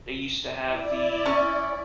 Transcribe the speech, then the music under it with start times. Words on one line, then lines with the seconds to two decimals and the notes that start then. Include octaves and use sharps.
they used to have the,
0.61 E4 D5
1.26 C#4